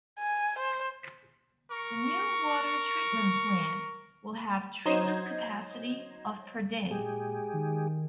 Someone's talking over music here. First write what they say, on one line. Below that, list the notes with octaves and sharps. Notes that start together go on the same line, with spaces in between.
The new water treatment plant will have treatment capacity of per day.
G#5
C5
A#4 C#6
F#3 D#4 C5 D#5 G#6 E7
A#2 G#3 G4 G#4
D#3